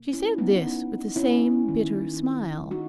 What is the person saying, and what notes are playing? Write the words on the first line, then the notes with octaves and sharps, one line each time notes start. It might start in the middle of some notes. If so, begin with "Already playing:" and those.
She said this with the same bitter smile.
Already playing: B2 A#3
C#4 E4
B3 D#4
C#4 E4
D#3 A#3
D#4 F#4